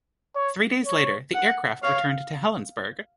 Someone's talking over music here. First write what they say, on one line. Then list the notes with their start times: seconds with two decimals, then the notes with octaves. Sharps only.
Three days later, the aircraft returned to Helensburgh.
0.36 C#5
0.86 C#5
1.34 F#5
1.82 C#5 F5